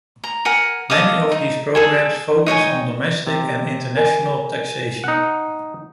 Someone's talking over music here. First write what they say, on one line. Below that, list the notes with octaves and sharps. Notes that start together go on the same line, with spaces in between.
Many of these programs focus on domestic and international taxation.
A#5
A#4 F#5 G#5
A4 D#5 F5 D6
D#4
G#4 A4 G#5
D#4 C#5 G5 G#5
C3
A#4 G#5
D#4 F#5